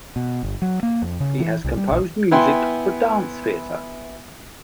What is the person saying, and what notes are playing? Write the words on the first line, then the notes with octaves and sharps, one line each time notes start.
He has composed music for dance theatre.
B2
G1
F#3
A#3
F2
C#3
E3
C2
G3
A#1
B3 E4 G5 G#5 C6